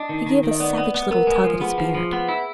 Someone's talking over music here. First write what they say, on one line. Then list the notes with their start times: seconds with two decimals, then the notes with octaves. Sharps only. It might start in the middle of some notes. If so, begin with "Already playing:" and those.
He gave a savage little tug at his beard.
Already playing: D4 D#5
0.09 D#3
0.26 D#3
0.43 D#3
0.51 D#5
0.60 B3 D5
0.77 B3
0.95 B3
1.11 B3 A#4
1.27 G#3
1.44 F3
1.61 B3 G#4
1.78 F3
1.95 F3
2.13 B3
2.29 E4